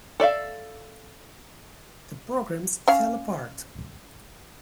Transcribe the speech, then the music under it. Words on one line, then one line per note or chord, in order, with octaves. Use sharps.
The programs fell apart.
A4 D5 E5 F5
C#4 F5